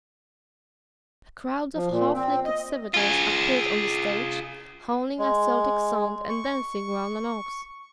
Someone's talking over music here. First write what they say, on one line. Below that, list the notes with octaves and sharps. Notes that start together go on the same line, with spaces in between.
A crowd of half naked savages appeared on the stage, howling a Celtic song and dancing round an ox.
F3
A#2
C4
D#5
F4 G#4
G#3
C#6